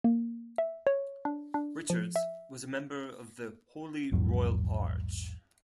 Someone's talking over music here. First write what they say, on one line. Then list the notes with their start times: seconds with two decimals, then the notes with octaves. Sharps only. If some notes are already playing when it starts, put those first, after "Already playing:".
Richards was a member of the Holy Royal Arch.
0.04 A#3
0.58 E5
0.87 C#5
1.25 D4
1.54 D4
1.90 F3
2.16 E5
4.12 A#1 E2 G#2 F#3